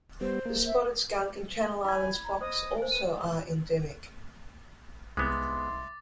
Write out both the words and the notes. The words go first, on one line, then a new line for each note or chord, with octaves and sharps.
The spotted skunk and Channel Islands fox also are endemic.
G3 B3 C5
A#3
E5
E4 G#5 B5 G#6
A#5
C5 D#5 D#6
C5 G#5
B4 D#7
C2 G#2 G#3 B3 E5 C6 D6 A6